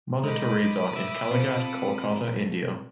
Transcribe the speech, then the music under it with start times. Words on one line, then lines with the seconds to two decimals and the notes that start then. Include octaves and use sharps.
Mother Teresa in Kalighat, Kolkata, India.
0.24 G#3 D#4 B5 D6 D#6
0.96 E5
1.31 C4 F4 A4